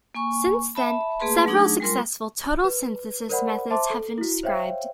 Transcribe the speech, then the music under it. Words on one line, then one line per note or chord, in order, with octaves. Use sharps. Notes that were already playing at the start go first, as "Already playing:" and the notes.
Since then several successful total synthesis methods have been described.
A#3 G#5 C#6
E5 A5 B5
A3 A#3 G#4 B4 A5 C6
F#3 A3 D4 D#4 G#4
G3 G#3 F4 A#4 C6
B4
A#4 C5 D5 F#5 B5
C5 E5 A5 C6 D6
A4
E4 F#4
C5 C#5 E5 F5 G5